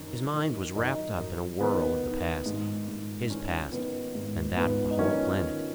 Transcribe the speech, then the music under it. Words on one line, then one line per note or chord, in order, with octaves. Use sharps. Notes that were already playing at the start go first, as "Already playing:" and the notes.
His mind was wrapped up in a whirl of the past--his past and that of the whole planet.
Already playing: F#2 D#3 C#4
D#3
F#2 D#4
F#2
D#3 B3
D#3
G#2
G#2
D#4
D#3 C#4
D#3 B3
G#2
G#2 B3
D#4
D#3 C#4
D#3